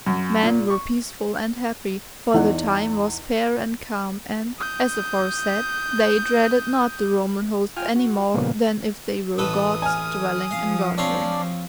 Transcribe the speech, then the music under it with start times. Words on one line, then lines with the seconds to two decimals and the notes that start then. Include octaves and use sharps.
Men were peaceful and happy, for the time was fair and calm, and, as aforesaid, they dreaded not the Roman Host any more than if they were Gods dwelling in God-home.
0.07 F#2
0.43 A#2
0.70 C#6
2.34 E2 D#4 F#5
4.59 D#6 G6
7.77 F4 G5 G#5 F6
7.96 F#4
8.34 A#2 C#3 F3 G3 A#3 B3
9.38 A1 A4 B4 D#6
9.82 G#5 F6
10.51 F3 F5
10.98 C4 D4 C#5 D5 F5